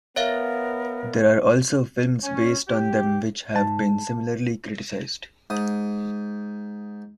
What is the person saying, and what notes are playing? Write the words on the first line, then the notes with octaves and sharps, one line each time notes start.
There are also films based on them which have been similarly criticized.
B3 A#4 C#5 E5 F5
C#4
G4
G#2 A5
G#2 D#6